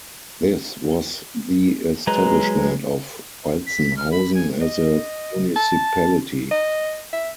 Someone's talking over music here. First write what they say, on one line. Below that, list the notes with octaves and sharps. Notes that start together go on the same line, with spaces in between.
This was the establishment of Walzenhausen as a municipality.
F#3 G#3 B4 A#5
B6
F6
B5
G#5
D#5
A5
D#5
E5